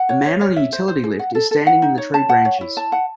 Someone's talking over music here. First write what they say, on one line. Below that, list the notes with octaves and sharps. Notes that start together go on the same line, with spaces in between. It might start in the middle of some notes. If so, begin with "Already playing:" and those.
A man on a utility lift is standing in the tree branches.
Already playing: F#5
C#5
C#5
C#5
E5
C5
C5
G#4
F#5
A4
A4
F#5
D#4
C#5
A5
F#5
C#5
E4
A5
F#5